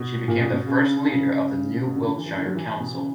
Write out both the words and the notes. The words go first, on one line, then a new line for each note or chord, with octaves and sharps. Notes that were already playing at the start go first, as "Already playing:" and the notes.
She became the first leader of the new Wiltshire Council.
Already playing: B2
A#2
B2
B2
C#3
C#3
B2
D3
D3
E3
E3
D3
F#3
E3
B2
C#3